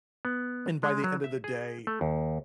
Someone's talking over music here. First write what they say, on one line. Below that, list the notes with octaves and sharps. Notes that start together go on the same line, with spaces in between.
And by the end of the day
B3
G#3
F#3
E5
G#4
A3
D#2